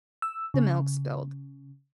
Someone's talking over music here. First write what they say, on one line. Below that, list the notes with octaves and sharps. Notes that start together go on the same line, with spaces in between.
the milk spilled.
E6
C#3